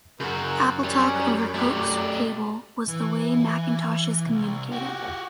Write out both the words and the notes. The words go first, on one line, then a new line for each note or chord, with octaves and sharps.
AppleTalk over coax cable was the way Macintoshes communicated.
F#2 C#3 F#4 A#4
G3 C#4 D5
A3 G4 D5
E3
C2
F#4 G4